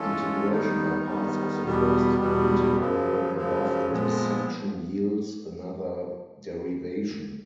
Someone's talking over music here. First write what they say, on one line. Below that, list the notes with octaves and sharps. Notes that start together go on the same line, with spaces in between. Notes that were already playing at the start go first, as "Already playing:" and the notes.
Integration by parts of the first integral above in this section yields another derivation.
Already playing: E3 G#3 C#4 F4 A4
D#3 G3 B3 D#4
D#3 G3 B3 D#4
E2 B2 G3 B3
E2 B2 G3 B3
F#2 C#3 F3
F#2 C#3 F3
A#2 F3 G#3 B3